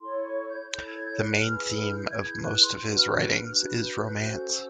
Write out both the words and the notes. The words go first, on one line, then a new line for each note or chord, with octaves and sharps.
The main theme of most of his writings is romance.
E4 A4 C#5 C6
C#6
G6
E4 A4 C#5 G6
G#6
G6
F#6
E4 G#4 B4 F6
E6
F6
G6
E4 G#4 B4 G#6
G6
F#6
C6
D4 F#4 B4
F6
F6
F#6
F6
D4 F#4 B4 F#6
G6
F#6
C#4 F#4 A4 C5 G6
E6